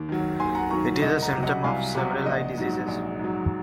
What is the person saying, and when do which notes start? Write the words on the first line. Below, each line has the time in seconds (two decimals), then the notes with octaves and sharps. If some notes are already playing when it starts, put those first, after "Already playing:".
It is a symptom of several eye diseases.
Already playing: D#2
0.09 D#3 F#3
0.40 D#2 G#5 C6
0.55 F#5 A#5
0.70 D#3 F#3 A#5 C#6
1.02 C2 D#5 F#5
1.22 F#5 A#5
1.33 C3 F#3
1.43 D#5 F#5
1.64 C2 F5 G#5
1.95 C3 F#3 F#5 A#5
2.26 A#1 D#5 F#5
2.57 G#2 F#3
2.88 A#1
3.19 G#2 F#3